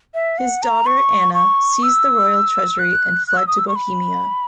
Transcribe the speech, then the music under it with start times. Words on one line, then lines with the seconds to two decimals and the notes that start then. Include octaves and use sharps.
His daughter, Anna, seized the royal treasury and fled to Bohemia.
0.14 E5
0.38 F#5
0.63 A#5
0.86 C#6
1.34 C#6
1.83 E6
2.79 F#6
3.27 F#6
3.37 E6
3.47 D#6
3.59 E6
3.68 C#6
3.76 B5